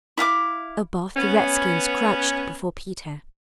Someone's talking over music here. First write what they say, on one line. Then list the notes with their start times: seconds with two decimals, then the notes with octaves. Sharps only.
Above, the redskins crouched before Peter.
0.17 E4 F5 F#5 D6
1.17 B3 C#4